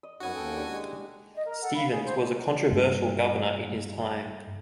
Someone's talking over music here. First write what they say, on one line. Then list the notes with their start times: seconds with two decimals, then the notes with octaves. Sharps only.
Stevens was a controversial governor in his time.
0.03 D#5
0.20 F#2 B3 C#4 D#4 F#4 G#5
0.35 D#2 A4 G5
0.55 D4 E4 G4
0.69 G#3
1.32 D#5
1.44 A#4
1.60 A4 F#5
1.74 F5 B5
1.88 G#4
2.03 C5
2.70 G2 A3 A#3